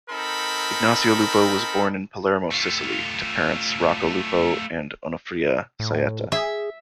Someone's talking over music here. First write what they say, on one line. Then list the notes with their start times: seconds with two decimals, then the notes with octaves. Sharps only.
Ignazio Lupo was born in Palermo, Sicily, to parents Rocco Lupo and Onofria Saietta.
0.10 C4 D#4 A4 A#4 B5
2.51 A3 F4
5.80 A2
6.32 G#4 E5